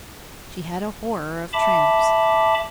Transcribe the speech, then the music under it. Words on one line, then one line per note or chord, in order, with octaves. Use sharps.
She had a horror of tramps.
E5 A5 B5 D6